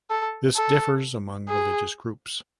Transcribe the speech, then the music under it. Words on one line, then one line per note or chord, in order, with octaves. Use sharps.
This differs among religious groups.
A4
A4
G#4